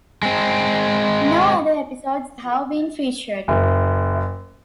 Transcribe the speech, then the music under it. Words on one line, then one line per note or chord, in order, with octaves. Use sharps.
No other episodes have been featured.
G#3 C4
F#1